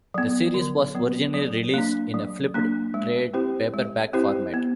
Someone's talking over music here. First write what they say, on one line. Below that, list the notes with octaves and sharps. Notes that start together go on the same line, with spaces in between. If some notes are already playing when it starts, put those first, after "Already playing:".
The series was originally released in a flipped trade paperback format.
F#3 B3
D3
F#3 B3
F#3
A#3 D4
F#3
A#3 D4
G#3
C4 E4 G4 C5
G#3
C4 E4 G4 C5
B3